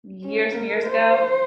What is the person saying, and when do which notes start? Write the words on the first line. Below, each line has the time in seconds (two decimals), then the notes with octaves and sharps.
Years and years ago,
0.24 C#4
0.56 A#4
0.87 C5